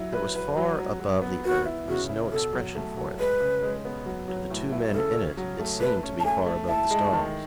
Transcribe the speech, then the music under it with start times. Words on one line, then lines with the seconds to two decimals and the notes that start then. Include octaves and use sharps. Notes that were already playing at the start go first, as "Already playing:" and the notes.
That it was far above the earth was no expression for it; to the two men in it, it seemed to be far above the stars.
Already playing: F#3 E4
0.13 B4
0.35 B4
0.57 F#3
0.79 F#3
1.00 F#3
1.22 B3
1.45 B3 F#4
1.65 E4
1.88 C#3 F#4
2.09 E4
2.32 B2 A4
2.53 F#3
2.75 A3
2.97 F#3
3.19 G#3 B4
3.40 C#3
3.63 G#3
3.85 B3
4.06 F#3
4.28 F#3
4.50 A2
4.72 E4
4.94 C#3 A4
5.15 C#4
5.37 F#3
5.59 A3
5.80 A3 B4
6.03 C#4
6.20 A5
6.25 A3 G#5
6.46 A3
6.68 E4 A5
6.91 G#3
7.13 D#3